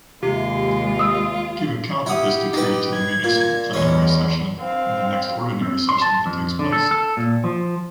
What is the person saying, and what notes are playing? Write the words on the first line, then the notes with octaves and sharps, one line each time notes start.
Give account of this decree to the municipal plenary session in the next ordinary session that takes place.
D#2 C3 G#3 F4
D#6 E6
E4 G4 F#5 D#6
D#4 B4
G#6
A#2
E2 G#3 C#4
C4 F5
C4
C6
A5
F2
D3
A4
A4
A#2
F3